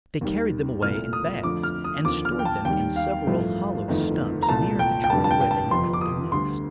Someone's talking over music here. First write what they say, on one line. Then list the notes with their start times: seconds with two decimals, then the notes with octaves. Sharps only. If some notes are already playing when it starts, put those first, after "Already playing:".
They carried them away in bags, and stored them in several hollow stumps near the tree where they had built their nest.
0.21 D#2 D#3 G3
0.82 C2 A#2 A3 F6
1.13 D#6
1.43 F2 D3 F3 A3 D6
1.63 F6
1.84 D#6
2.05 D#2 D3 F3 D6
2.25 F6
2.39 G5
2.45 A5
2.65 D#2 D#3 G3 G5
2.96 F5
3.27 A1 G2 F3 A3
3.88 G1 F2 D#3 A3
4.42 A#5
4.49 C2 A#2 A3 A5
4.79 G5
5.04 G5
5.10 F1 F2 D3 G3 A5
5.24 A5
5.31 G5
5.41 G5
5.51 A5
5.71 G1 F2 C3 F3 C6
5.93 D6
6.01 D#6
6.32 D2 D3 G3 C6